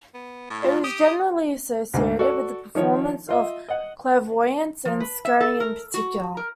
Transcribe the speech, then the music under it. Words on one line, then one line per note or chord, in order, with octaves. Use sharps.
It is generally associated with the performance of clairvoyance and scrying in particular.
B3
A2
F4
G4 D#6
D2 G#2 D3
F#4 A4 D5
D#3 F3 C#5
F4 D#5 E5
D#5 F#5
F3
B4
E5
A4
A#4
F#4
A#4